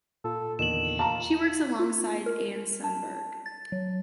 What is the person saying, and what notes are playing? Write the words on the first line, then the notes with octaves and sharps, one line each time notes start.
She works alongside Anne Sundberg.
A#2 F4 A4
E2 A#2 D3 D#3 E7 F#7
F4 A5 A#5
F4
A#4
A5
A6
F#3